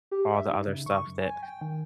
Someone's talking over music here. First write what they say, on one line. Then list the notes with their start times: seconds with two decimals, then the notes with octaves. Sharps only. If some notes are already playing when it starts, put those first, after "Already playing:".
all the other stuff that
0.11 G4
0.34 E5
0.51 D#4
0.67 C#3
0.86 C#6
1.07 F#2
1.19 G#5
1.43 G5
1.61 D#3